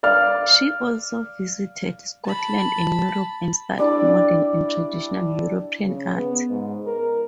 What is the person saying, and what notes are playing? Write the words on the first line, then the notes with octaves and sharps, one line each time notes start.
She also visited Scotland and Europe and studied modern and traditional European art.
D5 F5 D6 F6
A5 B5
G3 D4 E4 D5
C#3
B3
G#2
A#4